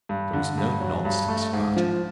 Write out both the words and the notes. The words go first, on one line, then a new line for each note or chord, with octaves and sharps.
There was no nonsense about her.
G2
D3
G2
F#3
G2
A3
G#2
F3